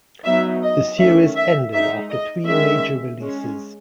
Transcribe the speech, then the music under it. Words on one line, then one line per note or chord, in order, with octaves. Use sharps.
The series ended after three major releases.
F#3 B3 D#4 E5
D#5
D#3 A3 C#4 E5
E5
D#4 E5
G#3
D#5
D#3 G#3 C#4 E5
G#3 C#4